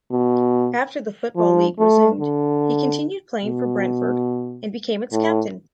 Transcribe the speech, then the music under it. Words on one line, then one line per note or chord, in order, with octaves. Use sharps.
After the Football League resumed, he continued playing for Brentford, and became its captain.
B2
F3
A3
D3
B2
A2